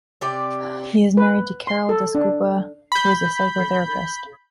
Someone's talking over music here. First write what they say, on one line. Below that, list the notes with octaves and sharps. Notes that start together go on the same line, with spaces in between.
He is married to Carol Dasgupta, who is a psychotherapist.
C3 G4 D5
B4
C6
A4
D4
B5 G6